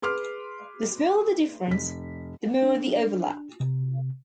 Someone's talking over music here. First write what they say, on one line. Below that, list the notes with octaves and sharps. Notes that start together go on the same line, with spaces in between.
The smaller the difference, the more the overlap.
G#4 B4 C6 D6 F6
F1 B6
D4
C3